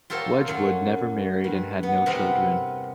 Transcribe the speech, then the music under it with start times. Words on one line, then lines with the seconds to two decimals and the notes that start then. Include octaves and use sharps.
Wedgwood never married and had no children.
0.10 F4 G4 A4 A#4 C5 C#5
0.48 F#2 A3 C#4
1.44 G2
1.83 B3
2.06 E2 C3 B3 C4 A#4 B4